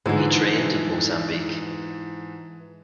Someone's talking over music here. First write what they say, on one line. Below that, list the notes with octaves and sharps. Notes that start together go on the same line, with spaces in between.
He trained in Mozambique.
G#2 D3 E3 F3 G#3